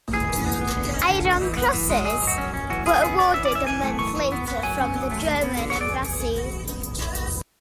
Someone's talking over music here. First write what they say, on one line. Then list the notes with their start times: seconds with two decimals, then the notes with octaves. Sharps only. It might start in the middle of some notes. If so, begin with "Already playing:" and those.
Iron Crosses were awarded a month later from the German embassy.
0.13 E3 G#4
0.29 E3
0.45 B3
0.61 B3
0.77 D3
0.94 C#4
1.09 D3
1.25 A3
1.42 E3
1.57 B3
1.73 E3
1.90 G#3
2.05 F#3 G#4
2.22 F#3
2.27 F#4
2.38 C#4
2.54 C#4
2.70 E3 F#4
2.86 E3 G#4
3.02 B3 G#4
3.19 B3 D5
3.34 E3 E5
3.45 D5
3.51 C#4 E5
3.67 E3 G#5
3.83 A3
3.99 E3 C#6
4.15 E3
4.32 B3
4.48 B3
4.63 F#3 G#5
4.80 C#4
4.96 F#3
5.11 A3
5.27 D3
5.44 B3
5.59 D3
5.70 C#5
5.76 F#3
5.81 D5